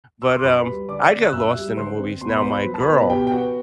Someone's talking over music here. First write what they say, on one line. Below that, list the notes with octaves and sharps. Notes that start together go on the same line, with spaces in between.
but, um, I get lost in the movies. Now, my girl
E6
D6
C6
F#2 B4 B5
G3
D3 D5 D6
C4
F#6
F#2 E5 E6
G3
D3 C5 C6
C4
B2 C6
B5
C5 C6
B3
B4 B5
F#3
A5
B4 B5
B2
B2 G4 G5
G5
B3 F#4 F#5